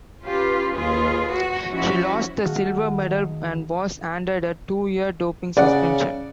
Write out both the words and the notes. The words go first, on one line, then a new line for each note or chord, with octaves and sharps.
She lost the silver medal and was handed a two-year doping suspension.
C#4 F4 G4 B4
D#2 F4 G#4 B4
F#4
F3 C#4 E4 F#4
D#3 A3 F#4 G#4 F5 F#6
D#4
C#3 D5 F#5